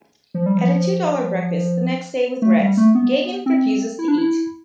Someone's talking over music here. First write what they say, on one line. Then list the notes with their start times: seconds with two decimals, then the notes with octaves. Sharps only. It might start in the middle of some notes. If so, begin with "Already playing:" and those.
At a two dollar breakfast the next day with Retz, Gagin refuses to eat.
0.34 F3
0.46 G3
0.58 F3
2.42 A3
2.60 G3
2.77 A3
2.95 B3
3.46 C4
3.99 E4
4.08 D4
4.18 E4